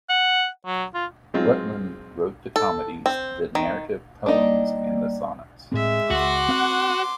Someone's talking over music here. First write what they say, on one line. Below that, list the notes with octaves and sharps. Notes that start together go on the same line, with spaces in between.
Rutland wrote the comedies, the narrative poems and the sonnets.
F#5
F#3
F4
F#3 G#3 C4 D#4 F4
A4
C4
D#3
G3 A#3 D4 D#4 D5
A2 G#3 C4 E5
C#2 F#4 C6 D6
C4 F#5